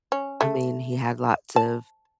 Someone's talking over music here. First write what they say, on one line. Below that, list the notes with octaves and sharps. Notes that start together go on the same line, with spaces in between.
I mean, he had lots of
C#4
A3
A5